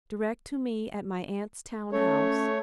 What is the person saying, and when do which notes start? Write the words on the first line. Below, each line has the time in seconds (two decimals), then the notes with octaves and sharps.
Direct to me at my aunt's town house.
1.92 A3 C#4 A4 C#5